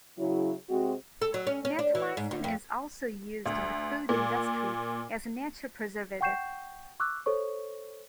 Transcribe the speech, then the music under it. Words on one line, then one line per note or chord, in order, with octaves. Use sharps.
Natamycin is also used in the food industry as a natural preservative.
C#3 F#3 E4
C3 G#3 C4 F#4
A4
F#3
C#4
C#4
D4
E3
G#2
D2
F2
D2
A#2
F#5 G5 C#6 G6 C7 E7
C#6 D6 E6 F#6
A4 C5 C#5 C#6